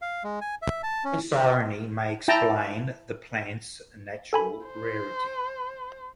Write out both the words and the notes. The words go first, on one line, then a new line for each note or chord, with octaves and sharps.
This irony may explain the plant’s natural rarity.
F5
G#3
G#5
E5
A5
C#4
E4 G5 A5 A#5
A4 G#5 B5
C5